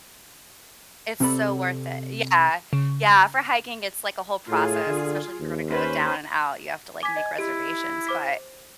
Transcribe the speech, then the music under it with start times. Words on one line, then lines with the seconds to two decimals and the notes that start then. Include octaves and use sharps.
It's so worth it, yeah. Yeah, for hiking, it's, like, a whole process, especially if you're gonna go down and out, you have to, like, make reservations, but
1.20 C3 C4 D4 A4 D5 B5
2.73 C#3
4.48 A2 F4 G#4
4.86 D3
5.40 D#2
5.71 C#4 B4 C5
7.03 G#5 D6 B6
7.17 D#5
7.39 E4 G4
8.07 C5 D6 B6